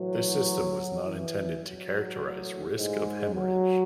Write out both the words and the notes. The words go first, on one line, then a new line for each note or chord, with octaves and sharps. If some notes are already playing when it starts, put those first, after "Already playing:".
This system was not intended to characterize risk of hemorrhage.
Already playing: A2 E3 F#3
E3
F#3
A2 E3
G#2 G#3
F#3